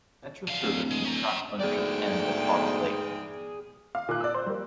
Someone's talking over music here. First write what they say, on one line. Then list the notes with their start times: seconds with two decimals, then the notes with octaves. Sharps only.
Metra service and track ownership ends at Fox Lake.
0.48 D3 F5
0.62 D1
0.91 G#3
1.05 C#4 A#5
1.60 D2 G#2 G#4 D5 G5
3.95 F5
4.09 A#2 F#6
4.20 D5 E6
4.34 C5
4.46 G3 A#3